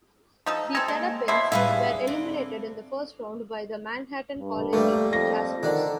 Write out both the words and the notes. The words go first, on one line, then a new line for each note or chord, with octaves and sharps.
The Terrapins were eliminated in the first round by the Manhattan College Jaspers.
F3 D#4 A4
C4 A4 D#5 G#5 A#5
G#3 A#3
B2 F3 E4 C#5 C6
A2 G3 D4 E4 G#4 B4 F5
D3 C4 D5
G2
G3 A3 A#3
F2 A#6
D3 D#3 D4